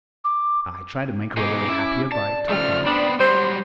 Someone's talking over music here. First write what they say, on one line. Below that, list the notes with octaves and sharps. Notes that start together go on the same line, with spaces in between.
I tried to make her a little happier by talking to her.
D6
B2 D#4 G#4 D6
C#4 E4
D5 A5
C#3 F3 A3 F6
B3 C4 D4 B5
F#3 G3 C5 C6